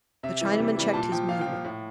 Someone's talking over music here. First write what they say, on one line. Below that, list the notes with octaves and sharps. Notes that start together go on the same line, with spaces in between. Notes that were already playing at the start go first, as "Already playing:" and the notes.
The Chinaman checked his movement.
C3 E5
E3 G3
C3
E3 G3
A#2 A5
F3 G5
A#2 F5
G5
F3
A2